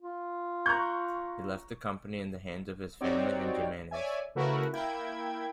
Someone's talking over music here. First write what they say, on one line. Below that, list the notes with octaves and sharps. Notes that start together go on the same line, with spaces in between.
He left the company in the hands of his family and Jimenez.
F4
A#5 C#6 F#6 G6
C4 D#4 F#4 G4 C#5 D5
C#5 D5 E5 G#5
C#3 A3 E4 F#4 A#4 B4
A#3 E4 G5 G#6